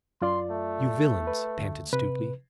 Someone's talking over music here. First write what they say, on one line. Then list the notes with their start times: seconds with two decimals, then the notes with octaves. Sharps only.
"You villains," panted Stuteley.
0.22 F#2 F4 D5 C6
0.51 A3
1.27 B4
1.59 D2
1.93 C3 B4